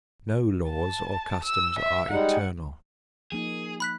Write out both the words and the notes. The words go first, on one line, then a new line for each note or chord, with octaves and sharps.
No laws or customs are eternal.
A5
E6
E5
G3 G#3 D#4 F#5
F3 A#3 D#4 G#4
B5 F#6 B6